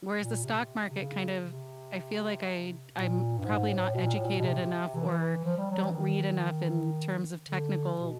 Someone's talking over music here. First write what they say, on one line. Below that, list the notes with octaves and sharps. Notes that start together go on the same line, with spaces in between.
whereas the stock market kind of I feel like I I'm probably not educated enough or don't read enough in terms of technical
A#2
C3
C#3
C3
A#2
G2
G#2
A2
B2
A#2
A2
A#2
B2
C3
E3
F3
G3
F#3
E3
D#3
D3
B2